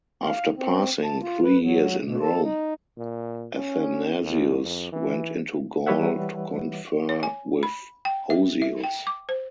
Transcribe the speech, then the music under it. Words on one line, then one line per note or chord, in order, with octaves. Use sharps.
After passing three years in Rome, Athanasius went into Gaul to confer with Hosius.
F5
C4
A5
F4
B4
F#3
B2
A4
D#4
A#2
C#4
D#2
F2
E3
E3 G3 B4 C#5 E5 F#5
C#5
G#5
B5
G5
E5
E5
G5
D6
C5